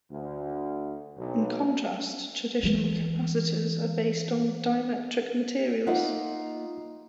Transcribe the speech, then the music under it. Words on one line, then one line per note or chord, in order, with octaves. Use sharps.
In contrast, traditional capacitors are based on dielectric materials.
D2
B1
E3 G#3
A#3 D#4 F4 D#5 E5 F#5